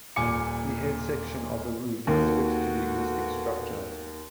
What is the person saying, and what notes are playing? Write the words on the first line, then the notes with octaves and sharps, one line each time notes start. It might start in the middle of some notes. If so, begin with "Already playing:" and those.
The head section of the roof is fixed to the existing structure.
D#1 A#2 G#5 D6 C#7
D#2 B3 F#4 A4